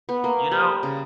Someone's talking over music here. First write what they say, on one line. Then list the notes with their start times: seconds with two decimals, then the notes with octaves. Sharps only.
you know,
0.09 B3
0.24 A#3
0.51 G3
0.83 C#3